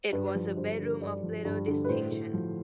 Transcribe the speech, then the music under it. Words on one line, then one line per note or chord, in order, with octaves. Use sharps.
It was a bedroom of little distinction.
G2 B4
F3
G2 C5
D3
G2 D5
F3
G2
D3
B4
A2 C5
A2
F3